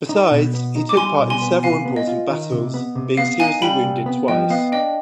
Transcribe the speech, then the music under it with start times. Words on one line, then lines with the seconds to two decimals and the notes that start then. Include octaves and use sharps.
Besides, he took part in several important battles, being seriously wounded twice.
0.09 D#4
0.31 B2
0.54 B3
0.76 D#4
0.89 D6
0.97 G3 G#5 C6
1.20 B2
1.30 G#5 C6
1.42 B3
1.63 C3 F5 G#5
1.85 B3
1.96 D#5
2.07 F4
2.30 D#3
2.52 C3
2.74 B3
2.96 C3
3.17 B3 F5
3.40 D#4 F5 G#5
3.62 G3 G5 B5
3.84 C3
4.06 B3
4.28 F3 D#5 G5
4.50 B3 F5
4.72 D4 D#5 G5